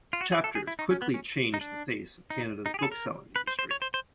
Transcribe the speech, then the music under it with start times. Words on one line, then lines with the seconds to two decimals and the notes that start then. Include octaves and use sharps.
Chapters quickly changed the face of Canada's book selling industry.
0.13 F4
0.21 F#4
0.32 G#4
0.44 A4
0.55 G#4
0.67 E4
0.79 D#4
0.91 C#4
1.02 B3
1.14 C#4
1.54 D#4
1.61 D4
2.30 D#4
2.66 D#4
2.74 G4
2.79 G#4
2.83 A4
2.92 A#4
3.36 B4
3.47 C5
3.59 C5
3.71 C#5
3.82 C5
3.94 C5